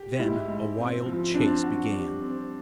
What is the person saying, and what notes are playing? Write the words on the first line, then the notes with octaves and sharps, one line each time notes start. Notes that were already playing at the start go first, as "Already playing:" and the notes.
Then a wild chase began.
Already playing: G4
G#2 E4
G#2
C4
F3
C4 D4
F#4
G3
C4